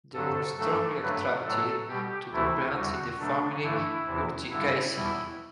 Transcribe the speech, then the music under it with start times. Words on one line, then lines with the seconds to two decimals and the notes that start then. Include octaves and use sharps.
They are strongly attracted to the plants in the family Urticaceae.
0.14 G2 D3 F#3 A4
0.58 G2 F#3 A3 A4
1.02 G2 F#3 A3 B4
1.45 A2 F#3 A3 A4
1.88 B2 G3 G4
2.32 D2 C3 E3 A3 E4
2.75 E2 D3 G3 F#4
3.18 B2 F#3 A3 D4
3.62 G2 E3 A3 E4
4.05 E2 C3 E3
4.50 G2 D3 G3 E4
4.93 E2 B2 G3 E4